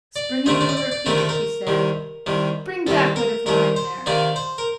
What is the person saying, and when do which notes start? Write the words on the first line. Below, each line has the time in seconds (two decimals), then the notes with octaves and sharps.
Springing to her feet, she said: "Bring back what is lying there."
0.16 D5
0.46 D2 C3 D#3 A3 C4 D#5
0.61 D5
0.69 D#5
0.77 D5
0.92 D5
1.06 D2 C3 D#3 A3 C4 A#4
1.18 A4
1.29 A#4
1.67 C2 C3 D#3
2.26 C2 C3 D#3
2.87 C2 C3 D#3 A4
3.16 A#4
3.46 C2 C3 D#3 A#4
3.76 C5
4.06 C3 D#3 A#3 D5
4.36 C5
4.58 A#4